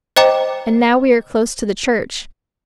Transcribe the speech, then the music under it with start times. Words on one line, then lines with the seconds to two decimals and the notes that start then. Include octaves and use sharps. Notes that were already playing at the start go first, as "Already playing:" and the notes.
And now we are close to the church.
0.16 C5 D#5 G5 A#5 D6